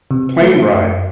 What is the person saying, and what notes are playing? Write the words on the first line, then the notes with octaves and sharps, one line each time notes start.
a plane ride,
C3
A3
F#2